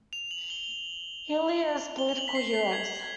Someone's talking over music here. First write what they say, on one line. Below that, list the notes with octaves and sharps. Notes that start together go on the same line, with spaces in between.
Healy as political heroes.
F7
F#7
G7
G7
F7
F#7
B6
C7
C7
G#6